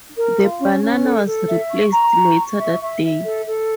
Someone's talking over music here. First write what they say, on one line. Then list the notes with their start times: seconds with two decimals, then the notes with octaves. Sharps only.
The banana was replaced later that day.
0.15 A#4
0.38 F4
0.59 C#4
0.81 C#4
1.04 A4
1.25 A4
1.47 E5
1.69 C#6
1.92 A#5
2.13 C#6
2.36 C#6
2.57 E5
2.80 E5
3.02 E5
3.23 A4
3.45 A4